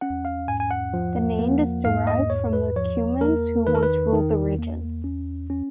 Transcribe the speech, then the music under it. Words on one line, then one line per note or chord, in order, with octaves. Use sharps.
The name is derived from the Cumans who once ruled the region.
C#4 F#5
F5
G#2 G#5
G#5
F#5
F3
A#3
G#2 F5
D#5
G#2 C#5
B4
F3 C#5
A#3 A#4
D#3 B4
A#4
B4
D#3
A#3
C#4
C#4